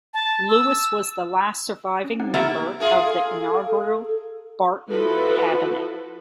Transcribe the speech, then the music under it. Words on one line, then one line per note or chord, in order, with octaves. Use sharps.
Lewis was the last surviving member of the inaugural Barton Cabinet.
A5
E6
C#4
C4 D#4 F#5
A#3 B3 G4 E5 F6 A6
F4 G#4 A#4 E5
A4
F3 E4 F#4 A4 B4